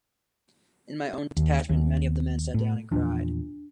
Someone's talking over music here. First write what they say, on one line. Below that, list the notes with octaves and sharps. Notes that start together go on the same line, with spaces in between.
In my own detachment many of the men sat down and cried.
D#2
D#2
A2
E2 A#2 F3 D4